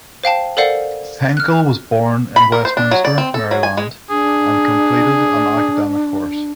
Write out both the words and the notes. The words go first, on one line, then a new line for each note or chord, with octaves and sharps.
Henkle was born in Westminster, Maryland, and completed an academic course.
C5 F5 G5 A5
A4 A#4 C5 D5 F5 F#5
F6 F#6
B5
A#4
C5
D4
F#3
D5
C4
A4
F#3
G#5
G#3
D4 G#4